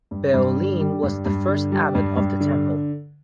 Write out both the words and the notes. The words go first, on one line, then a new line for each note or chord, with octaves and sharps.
Beow Lean was the first Abbot of the temple.
G2
G2
D3
G3
G2
G2
D3
G3
G2
G2
D3